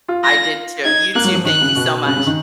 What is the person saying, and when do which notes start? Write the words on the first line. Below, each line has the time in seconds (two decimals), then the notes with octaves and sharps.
I did too. You too, thank you so much.
0.08 F4
0.24 A#6
0.84 D#4 G#6
1.15 A#3 F#6
1.24 F#3
1.35 F3
1.45 D#3 F#6
1.61 C#3
1.76 B2
2.06 C#3 F#6
2.16 C#3
2.26 D#3